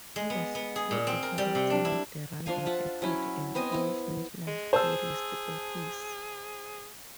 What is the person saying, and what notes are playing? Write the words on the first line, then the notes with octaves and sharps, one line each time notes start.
He was cooperating with the Radom Airport and Polish National Tourist Office.
G#3
B3
B3
G#4
A#2
C4
A#4
G3
C3
D4
E4
F3 D4 F5 G#5
F4 E5 F#5 A5
F#3 C#4 E4
B3 C4 D#5 G#5
B3 E4
G#3
G#4 C5 A5 E6